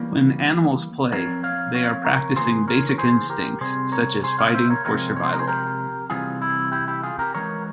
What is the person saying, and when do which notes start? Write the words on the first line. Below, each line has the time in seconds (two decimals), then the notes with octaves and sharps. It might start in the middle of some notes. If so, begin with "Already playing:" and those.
When animals 'play' they are practising basic instincts, such as fighting, for survival.
Already playing: E3 G3 A#3 C#4
1.12 F3 C4 A#4 C#5
1.43 C#5 F5
1.75 C#5 F5
2.05 A#4 C#5
2.36 C#3 E3 A#3 G#4 C5
2.68 A#4 C#5
2.89 C#5
2.98 G#4 C5
3.30 G4 A#4
3.61 C3 G3 C4 G#4 C5
3.92 A#4 C#5
4.23 G#4 C5
4.38 C#5 F5
4.54 C5 E5
4.70 A#4 C#5
4.85 C3 F3 G#3 C4 A#4 C#5
5.16 C#5
5.24 C5
5.32 A#4
5.39 G#4 C5
5.48 G4 A#4
6.10 C3 E3 G3 C4 F4 G#4
6.42 E4
6.72 E4 G4
6.88 E4 G4
7.03 F4 G#4
7.19 G4 A#4
7.34 E3 G#3 C#4 A#4 C#5